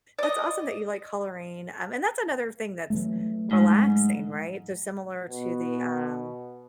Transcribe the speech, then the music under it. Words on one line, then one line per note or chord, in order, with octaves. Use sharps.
that's awesome that you like coloring, um, and that's another thing that's relaxing, right? So, similar to the, um
D5 D#5
E3 F#3 A3
G#2
B2